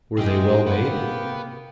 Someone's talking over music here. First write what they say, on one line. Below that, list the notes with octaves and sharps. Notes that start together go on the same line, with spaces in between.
Were they well made?
C3 E4 G4 G#4 D#5 G5
A#3 B4 F#5